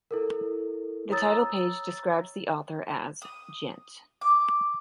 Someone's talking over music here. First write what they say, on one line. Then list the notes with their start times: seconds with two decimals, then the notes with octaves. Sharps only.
The title page describes the author as "Gent".
0.11 E4 A4 A#4
1.11 C#5 A#5 D#6 E6 A6
3.22 D#6
4.21 D6